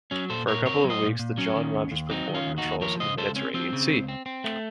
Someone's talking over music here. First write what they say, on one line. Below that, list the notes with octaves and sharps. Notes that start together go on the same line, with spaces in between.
For a couple of weeks, the John Rodgers performed patrols in the Mediterranean Sea.
F#3 C#4
A#2 A4 C5
A#2 A#4 C#5
C4 A#4 C#5
F#3
C5 D#5
A#2
A#2
F#3 C#4
D#3
D#2
D#2
F#3 C4 D#4
D#3
C#4 F4
D#2
D#4 F#4
D#2
F3 A#4 C#5
C#3 C5 D#5
C#2 A4 C5
C4 C#4
F3 C4
C#3
C#2
C4
C4
A3